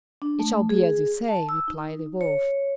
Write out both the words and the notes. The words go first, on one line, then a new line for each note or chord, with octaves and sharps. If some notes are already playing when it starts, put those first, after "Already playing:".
"It shall be as you say," replied the Wolf.
D4
A3
G#4
A5
E6
D#4
C#5